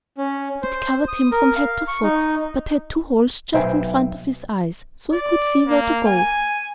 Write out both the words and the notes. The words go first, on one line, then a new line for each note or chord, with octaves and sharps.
It covered him from head to foot, but had two holes just in front of his eyes, so he could see where to go.
C#4
C5
D#6
A#4
F5
C#6
D#4
B1 B4 C5 E5 G5 G#5
D5
A#3
G#5